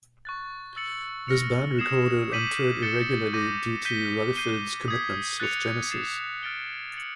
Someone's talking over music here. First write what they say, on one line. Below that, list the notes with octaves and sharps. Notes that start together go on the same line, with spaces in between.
This band recorded and toured irregularly due to Rutherford's commitments with Genesis.
C#6 F#6 A6
E6 A6 C#7 F#7
F6 A#6 C#7 F7
D#6 G#6 C7 E7
D6 G6 B6 D#7 F#7
A6 C#7 E7 G7
D6 G6 A#6 D#7
G6 B6 D#7 G7
G6 C7 D#7 G7
D#6 G#6 B6
F#6 A6 C#7 F7
A6 C7 E7
F6 A6 D7 G7
A6 C#7 F#7